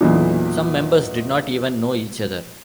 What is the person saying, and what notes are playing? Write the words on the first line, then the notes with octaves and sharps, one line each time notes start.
Some members did not even know each other.
B1 E2 A#2